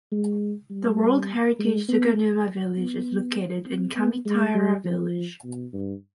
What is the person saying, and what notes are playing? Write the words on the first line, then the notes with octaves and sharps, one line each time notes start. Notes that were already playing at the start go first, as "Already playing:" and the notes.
The World Heritage Suganuma village is located in Kamitaira village.
G#3
G3
G#3
B3
B3
C4
B3
G#3
G3
F3
B2
G2